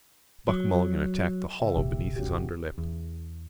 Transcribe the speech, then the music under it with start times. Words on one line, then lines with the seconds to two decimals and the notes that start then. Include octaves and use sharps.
Buck Mulligan attacked the hollow beneath his underlip.
0.48 F#3
1.60 C#3 E5
1.76 D1 G#1 B2 G4
2.16 C#4 F#4 G4
2.78 E2